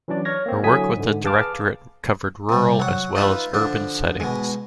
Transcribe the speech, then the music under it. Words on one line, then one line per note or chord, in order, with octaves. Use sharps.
Her work with the Directorate covered rural as well as urban settings.
E3 F#3 C#4 D4 D5
C#5 F6 G#6 A#6
A#3 C4
D3 F#3 E4 G#5 D#6 B6
G#2 D3
G#4 B4 F5 A5 D6 F6
C3 G3
F#3 F#5
D#4 F4 B4 E5
D3 F3 D4
B2 G#3